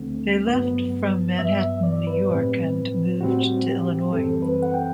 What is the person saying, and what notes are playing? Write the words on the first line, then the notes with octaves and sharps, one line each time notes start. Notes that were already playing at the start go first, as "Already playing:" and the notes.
They left from Manhattan, New York and moved to Illinois.
Already playing: D2 D3 A3 C4
G2 F#3 B3
G2 F#3 B3 E5
D5
B4
A2 G3 C4
A2 G3 C4 F#4
G4
F#2 E3 G3 C4 A4
B4
F#5
G5